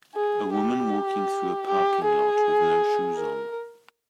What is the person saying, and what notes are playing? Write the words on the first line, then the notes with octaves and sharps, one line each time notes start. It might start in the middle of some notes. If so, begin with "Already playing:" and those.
A woman walking through a parking lot with no shoes on.
G#4
G4
G4
G#4
A#4